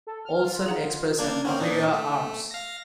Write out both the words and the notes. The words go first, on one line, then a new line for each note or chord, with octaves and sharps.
Olsen Express and Naviera Armas.
A4
F6
F4
G#4 F#5 A#5
A#3 D4 G#6
A#3 C4 C#4
A#2 D4 D#4
A3
F5 A#6